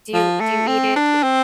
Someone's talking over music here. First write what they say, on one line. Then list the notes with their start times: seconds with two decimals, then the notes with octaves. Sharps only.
Do you do you eat it l
0.14 F3
0.40 A3
0.68 C4
0.96 D4
1.23 C4